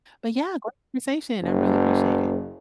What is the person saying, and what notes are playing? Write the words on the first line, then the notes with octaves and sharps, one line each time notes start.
But, yeah, gr conversation. I really appreciate it.
F#1